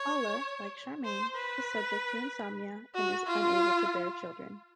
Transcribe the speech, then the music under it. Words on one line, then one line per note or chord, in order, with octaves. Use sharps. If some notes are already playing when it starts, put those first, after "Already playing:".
Paula, like Charmian, is subject to insomnia and is unable to bear children.
Already playing: C#5
C5
B4
F#4
F4